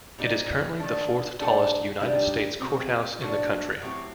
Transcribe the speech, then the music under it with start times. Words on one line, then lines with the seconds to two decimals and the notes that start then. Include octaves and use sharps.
It is currently the fourth tallest United States courthouse in the country.
0.18 A#2 G3 C4 D#4
0.79 D#3 A3 D4 A4
1.40 A#2 G3 D4 A4
2.00 D#3 G3 D4 G4
2.60 C3 F#3 C4
3.21 F#3 A#3 D4
3.82 A2 F#3 C4 G4